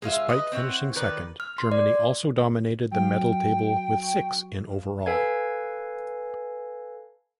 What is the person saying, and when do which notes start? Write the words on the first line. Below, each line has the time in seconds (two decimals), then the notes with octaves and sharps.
Despite finishing second, Germany also dominated the medal table with six in overall.
0.02 G#3 C#4 F4 E5
0.29 B4 D#5
0.52 C4 E4 C#5 F#5
0.96 D#3 B4 D5
1.40 F6
1.58 C6
1.72 D5
2.91 F#3 F5 G5
4.03 C#6
4.70 F5 E7
5.06 A4 B4 F5 G#5 G#6